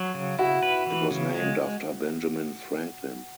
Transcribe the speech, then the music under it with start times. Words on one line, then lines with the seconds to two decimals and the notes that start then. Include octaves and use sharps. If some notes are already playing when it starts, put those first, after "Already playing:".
It was named after Benjamin Franklin.
Already playing: F#3
0.14 C#3
0.39 E4 F#4
0.63 B4
0.87 E3
1.11 C#3
1.34 G#3